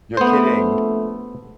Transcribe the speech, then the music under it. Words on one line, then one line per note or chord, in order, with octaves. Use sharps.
You're kidding.
A#1 A3 B3 C5